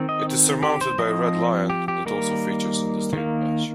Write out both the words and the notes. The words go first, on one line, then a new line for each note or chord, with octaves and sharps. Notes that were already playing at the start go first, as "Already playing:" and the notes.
It is surmounted by a red lion that also features on the State badge.
Already playing: D#3 C4
D#5
G4
C5
F3 C4 D#5
G4
G4
D#3 G3 A#3 A#4
D#3 A#3